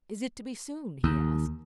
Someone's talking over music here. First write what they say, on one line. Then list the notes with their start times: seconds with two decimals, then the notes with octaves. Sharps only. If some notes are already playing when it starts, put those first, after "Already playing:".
"Is it to be soon?" he asked.
1.04 D#2